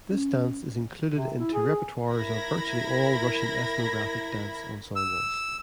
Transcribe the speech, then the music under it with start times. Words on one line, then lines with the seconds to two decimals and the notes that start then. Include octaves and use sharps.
This dance is included into repertoires of virtually all Russian ethnographic dance ensembles.
0.11 C#4
1.16 C3
1.39 E4
1.54 G#4
2.11 E4 A#4 B5 G#6 A#6
4.96 E6